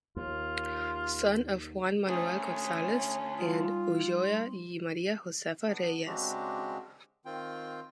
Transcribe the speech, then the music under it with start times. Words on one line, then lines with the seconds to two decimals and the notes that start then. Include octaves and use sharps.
Son of Juan Manuel González and Ulloa y María Josefa Reyes.
0.16 D#2 F4
2.08 D3 A3 C#4 D#6
3.38 G3 D#4 F4 C6
5.66 B3 D4
6.06 C#3 G#3 C4 D4 F#4 G4
7.25 D#3 C4 F4 G5